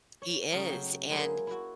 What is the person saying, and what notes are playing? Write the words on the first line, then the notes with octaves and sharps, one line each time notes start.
He is, and
C#5
C#3 F3 A3 D#4 F5 C6
F#3 G5
F#3 G#3 A#3 E4 G#4 C5
E4 F#4